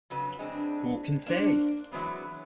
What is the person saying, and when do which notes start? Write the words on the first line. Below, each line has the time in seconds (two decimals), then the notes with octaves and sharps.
Who can say?
0.10 F2 C#3 F#3 B4
0.39 G#3 C4 D4
1.26 A#3 D4 C5
1.91 E3 F#3 G#3 B3 C4